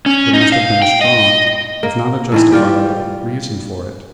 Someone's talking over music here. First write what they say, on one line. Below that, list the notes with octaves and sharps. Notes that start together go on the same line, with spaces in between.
There must have been a strong, if not a justifiable, reason for it.
C#4
D#4
F5
G5
D#5
A#3
A2 D#3 E3
G3 F4 G4